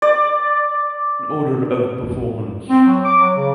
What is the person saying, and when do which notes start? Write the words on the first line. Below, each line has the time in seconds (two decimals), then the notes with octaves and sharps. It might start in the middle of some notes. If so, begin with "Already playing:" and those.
In order of performance.
0.02 D5
2.70 C4
2.86 F#3
3.04 D6
3.19 F#3
3.36 C#3